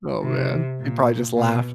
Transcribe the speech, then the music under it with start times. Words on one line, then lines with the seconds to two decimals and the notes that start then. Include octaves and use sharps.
Oh, man. He'd probably just laugh.
0.22 C3
0.80 A#2
1.36 B2